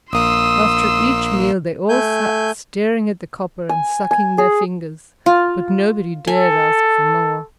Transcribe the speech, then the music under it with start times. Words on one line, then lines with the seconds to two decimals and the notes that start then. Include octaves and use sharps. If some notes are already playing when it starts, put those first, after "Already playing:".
After each meal they all sat staring at the copper and sucking their fingers, but nobody dared ask for more.
0.13 A#1 A#3 C6 D#6 E6
1.89 A3 G#5 G6
3.69 G#5
4.11 G#5
4.38 G#4
5.26 F4
6.27 A4 G#5